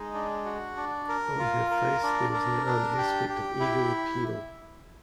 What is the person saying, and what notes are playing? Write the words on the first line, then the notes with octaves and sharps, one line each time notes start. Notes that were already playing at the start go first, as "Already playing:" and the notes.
On her face there was now an aspect of eager appeal.
Already playing: G#3 D#4
D4
F#4
D4
A#4
F4
A#4
D4
A#4
D4
G4
G4
E4